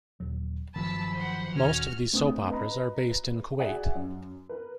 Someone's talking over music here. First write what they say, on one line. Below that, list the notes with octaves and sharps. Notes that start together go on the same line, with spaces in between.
Most of these soap operas are based in Kuwait.
D#1 F#3
G1 D#3 F3 F#3 A5 B5 E6
C5 F#5
D#1 A#1 D#3 C#4 F#4 F6
D2 C4 D#6
B4 D#5 A#5 B5
F#4 G#4 D5 E5 F#5 G#5
F#2
A#4 B4